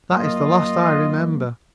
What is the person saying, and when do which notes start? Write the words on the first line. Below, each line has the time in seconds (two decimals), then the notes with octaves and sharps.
That is the last I remember.
0.12 F#2 A#3 F4 D#5